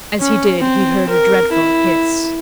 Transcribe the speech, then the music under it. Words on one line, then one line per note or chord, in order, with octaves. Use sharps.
As he did he heard a dreadful hiss.
C#4
C4
A#4
E4